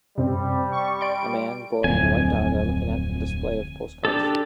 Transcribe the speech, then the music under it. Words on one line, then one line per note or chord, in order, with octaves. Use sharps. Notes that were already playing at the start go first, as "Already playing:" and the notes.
A man, boy and a white dog are looking at a display of postcards.
F#2 C3 G3 C4
C#6
D5 C6 D7
D1 F2 G#5
D4 G4 A4